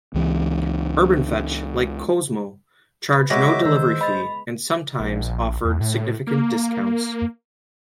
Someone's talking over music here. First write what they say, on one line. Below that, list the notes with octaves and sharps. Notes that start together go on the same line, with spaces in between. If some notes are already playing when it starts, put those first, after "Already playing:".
Urbanfetch, like Kozmo, charged no delivery fee and sometimes offered significant discounts.
C#2 E3
B4
G#3 B3 F#4 C#5 E5 D6 A#6
D#3 C5 E6
D#5 B5 A6
A#1
E2
A2
A#3